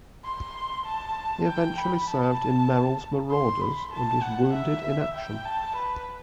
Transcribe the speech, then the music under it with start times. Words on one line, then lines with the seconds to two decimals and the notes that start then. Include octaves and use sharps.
He eventually served in Merrill's Marauders and was wounded in action.
0.24 C6
0.86 A5
1.47 G5
1.78 B5
2.08 A5
3.31 C6
3.61 B5
3.93 A5
4.22 F#5
4.53 E5
5.15 G5
5.45 A5
5.76 B4